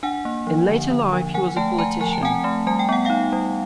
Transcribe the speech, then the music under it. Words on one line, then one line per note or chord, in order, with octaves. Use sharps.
In later life he was a politician.
D4 F#5 G#5
A#3
F3
D3
D3
F3
F3 F#5 G#5
A3 G5 A5
A3 G#5 A#5
F3 G#5
A5
C4 F#5 G#5
A3
G3 G#5
G5
B3 F#5
D#4 F5 G5
G3